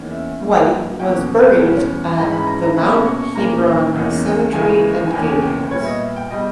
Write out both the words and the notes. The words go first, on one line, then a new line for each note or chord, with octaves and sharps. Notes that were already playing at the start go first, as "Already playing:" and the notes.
Wight was buried at the Mount Hebron Cemetery and Gatehouse.
Already playing: E2 D#3 A#3 C#4
E5
G2 G3 A#3
E2 B2 A#3 C#4 G5
E2 B2 G3 C#4
G#2 E3 G#3 C#4 A#5
B5
A#5
A#5
B2 A#3 C#4 B5
C#6
A#2 A#3 C#4 A#5
E2 D#3 A#3 C#4
D#2 C#3 E3 G#3 G#5
G#5
E2 B2 A#3 C#4 G5
G#5
G5
B4
A#2 G3 B3 C#5
E5
D#5
E5
G5
B2 G3 D#5